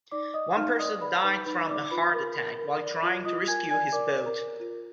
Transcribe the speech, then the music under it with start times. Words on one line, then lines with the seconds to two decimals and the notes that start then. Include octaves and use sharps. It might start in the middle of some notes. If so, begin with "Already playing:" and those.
One person died from a heart attack while trying to rescue his boat.
0.12 D#4 D5 D6
0.34 D5 D#5 D#6
0.57 D#4 F5 F6
0.79 D5 D#5 D#6
1.01 B4 D5 B5
1.23 D#4 B4 B5
1.46 D#4 B4 B5
1.68 D#4 D5 D6
1.91 F4 B4 B5
2.13 A#4
2.36 A#4
2.58 A#4
2.81 D5
3.03 F4
3.25 F4 D#5 D#6
3.47 A#4 G#5 G#6
3.70 D5 G#5 G#6
3.92 A#4 D5 D6
4.15 D5
4.26 A#4 A#5
4.38 A#4
4.60 F4